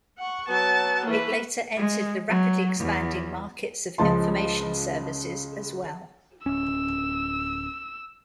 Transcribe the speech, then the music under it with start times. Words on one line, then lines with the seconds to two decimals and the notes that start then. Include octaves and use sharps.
It later entered the rapidly expanding markets of information services as well.
0.18 F#5 C#6
0.49 F#3 B3 A5
1.06 E3 A3 A#3 B4
1.77 G#3
2.29 F#3
2.80 E2
3.98 C#2 C#3 F3 G#3 A5 C6
6.46 D1 C#4 E6